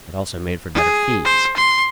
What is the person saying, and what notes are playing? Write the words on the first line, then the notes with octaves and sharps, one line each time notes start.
It also made for better fees.
G#4
C5
C6